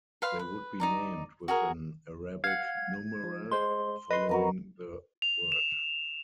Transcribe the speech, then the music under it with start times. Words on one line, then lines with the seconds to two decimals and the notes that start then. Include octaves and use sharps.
They would be named with an Arabic numeral following the word.
0.22 B4 F5 C6
0.39 B4
0.80 D#4 D5 A#5
1.48 F#4 G#4 A#4
2.44 F5 F#5 G#6
3.24 F3
3.52 G#3 C5 C6
4.11 B4 D#5 C6
4.29 F2 F#4 A#4 B4
5.22 F7
5.52 E7